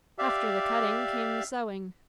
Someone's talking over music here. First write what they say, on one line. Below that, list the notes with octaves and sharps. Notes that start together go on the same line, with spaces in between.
After the cutting came the sewing.
G4 D5 E5 F5